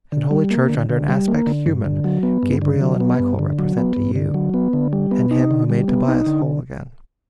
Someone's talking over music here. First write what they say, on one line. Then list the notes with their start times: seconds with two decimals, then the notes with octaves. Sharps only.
And Holy Church under an aspect human Gabriel and Michael represent to you, And him who made Tobias whole again.
0.12 D3
0.31 G3
0.50 A#3
0.70 D3
0.90 D3
1.08 G3
1.28 A#3
1.47 D3
1.66 G2
1.85 D3
2.04 F#3
2.23 B3
2.43 G2
2.61 D3
2.81 F#3
3.00 B3
3.19 G2
3.39 D3
3.59 F#3
3.78 B3
3.96 G2
4.16 D3
4.34 F#3
4.54 B3
4.73 D3
4.93 G3
5.11 B3
5.31 D#4
5.51 D3
5.70 G3
5.88 B3
6.08 D#4
6.26 D3